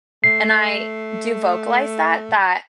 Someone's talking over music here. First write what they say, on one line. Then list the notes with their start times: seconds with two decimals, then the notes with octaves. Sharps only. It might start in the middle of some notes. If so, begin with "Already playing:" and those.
and I do vocalize that, that,
0.24 A3 C7